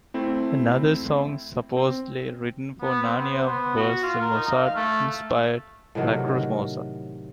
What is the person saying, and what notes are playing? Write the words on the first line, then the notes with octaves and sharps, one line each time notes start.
Another song supposedly written for "Narnia" was the Mozart-inspired "Lacrymosa".
A3 C4 E4
C4
B3
C4
B3
C5
B3
F#4
F4
A#4
D#4
F5
F5
A3
A2 C3 D#3 F#3